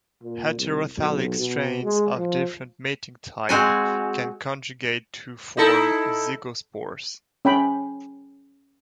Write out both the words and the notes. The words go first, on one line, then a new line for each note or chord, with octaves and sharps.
Heterothallic strains of different mating type can conjugate to form zygospores.
A#2
C2
B1
B2
G#3
F3
G#3 C4 F#4 G#5
D#4 E4 A4
C#4 G5 B5